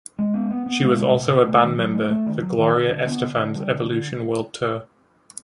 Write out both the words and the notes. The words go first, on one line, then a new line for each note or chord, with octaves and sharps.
She was also a band member for Gloria Estefan's Evolution World Tour.
G#3
B3
B3
B3
G#3
B2
B2
B2
A3
D#3
F#3
A3
A3
D#3
F#3
D#3
D3
D3
B3
D3
D3
G3
D3
D3